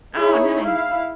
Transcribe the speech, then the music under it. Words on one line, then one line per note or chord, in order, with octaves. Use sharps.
Oh, nice.
D#4 E4 G#4 C#5
E4 F5